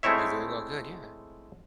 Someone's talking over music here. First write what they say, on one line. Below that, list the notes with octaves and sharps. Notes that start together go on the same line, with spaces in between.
You very well could, yeah.
G#3 A3 C4 E4 C#5 E5